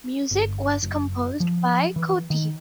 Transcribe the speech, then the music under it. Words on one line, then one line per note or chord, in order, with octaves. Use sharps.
Music was composed by Koti.
G1
F#1
F3
E3
D#3